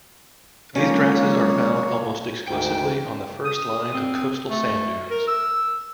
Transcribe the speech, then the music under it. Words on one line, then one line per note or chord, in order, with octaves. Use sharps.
These grasses are found almost exclusively on the first line of coastal sand dunes.
C3 F3 F#3 G#3 A#3 C#4 C#5
D2 G#2 G5
D#6
C4
A3
A#4
E6